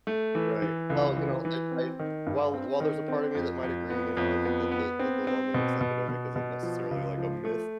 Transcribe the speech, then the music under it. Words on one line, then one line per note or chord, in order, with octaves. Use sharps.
Right. Well, you know, I I while while there's a part of me that might agree, you know, I think that the the the loneliness epidemic isn't necessarily, like, a myth.
A3
E3
E3
C#2
E3
E3
C4
D#3
G2
C4
D#3
C4
F2
F2
B3
F2
B3
B3
C4
C4
B2
B2
B2
B2
F3
C#2
F3
A3